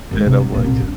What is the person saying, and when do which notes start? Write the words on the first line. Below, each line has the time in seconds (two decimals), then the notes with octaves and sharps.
and I'm like
0.11 D#3 G#3
0.26 C3
0.40 F#3
0.53 C#2 A#2
0.64 C2
0.80 D4